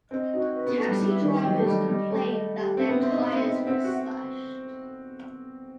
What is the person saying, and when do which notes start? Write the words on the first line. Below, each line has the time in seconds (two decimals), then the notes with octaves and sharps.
Taxi drivers complained that their tires were slashed.
0.11 C4 D#5
0.33 D#4 F#4
0.55 B4
0.67 B3
0.77 A3 B4
0.89 G3
1.00 G3 E4
1.22 D#3 G4
1.44 F#3 D#5
1.58 A3
1.66 G3 D#5
1.88 G3 D#5
2.10 A3 G4
2.32 D#5
2.55 G4
2.77 C4 E5
2.88 B3
3.00 C4 C6
3.11 D#4
3.21 E4 E5
3.33 C4
3.44 D#4 E5
3.66 C4 F#5
3.84 F#4